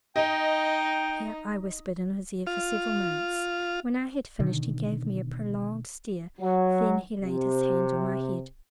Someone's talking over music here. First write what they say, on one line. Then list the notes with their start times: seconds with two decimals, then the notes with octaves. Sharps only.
Here I whispered in his ear for several minutes, when I had finished he gave me a prolonged stare, then he laid his hand on my head.
0.16 D#4 D#5 G5
2.47 F4
4.40 B2 D3 D#3
6.41 F#3
7.23 C3